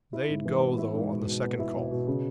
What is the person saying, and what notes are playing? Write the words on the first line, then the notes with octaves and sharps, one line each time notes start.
They'd go, though, on the second call.
E4
G#2
E3
B3
E4
G#2
B2
B2
B3
E4
B2
B2
C#3